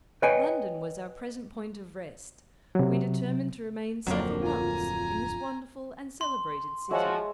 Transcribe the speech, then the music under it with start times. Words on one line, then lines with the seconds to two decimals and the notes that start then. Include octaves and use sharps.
London was our present point of rest; we determined to remain several months in this wonderful and celebrated city.
0.22 B4 C#5 D#5 G5 G#5
2.75 C3 F#3
4.07 D1 F2 D3 F#3 A#3 C4
4.43 F4 G#5 A#5
6.21 C6
6.91 F3 G#3 F#4 C#5 E5